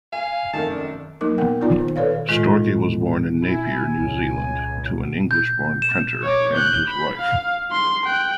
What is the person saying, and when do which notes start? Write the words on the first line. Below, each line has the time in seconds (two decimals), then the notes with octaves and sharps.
Storkey was born in Napier, New Zealand, to an English-born printer and his wife.
0.13 F5 G#5
0.53 F1 F#2 D#3 A5
0.70 D4
1.21 F#3 A#3 D#4 A#4 D6
1.38 B3 A#4 F#5 G5
1.61 B3 D#4 F4 D5 A#5
1.80 D#3
1.96 A4 B4 C#5 D5 F5
2.29 A2 D#3 G#3 F4
3.42 E4 G#5
3.98 C#2
5.31 G6
5.82 E7
6.23 C#5 D6
6.53 F#6 G6
6.87 B5
7.18 F5
7.72 C6
8.06 G5 F#6